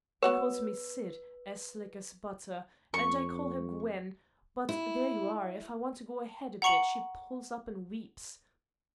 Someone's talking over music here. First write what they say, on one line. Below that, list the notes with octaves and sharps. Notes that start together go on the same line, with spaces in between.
She calls me 'Syd' as slick as butter, and I call her 'Gwen'; but there you are--if I want to go ahead a bit she pulls up and weeps.
B3 F#4 B4 C#5
F2 C#6
E4
F#5 A#5 C#6 C#7 F#7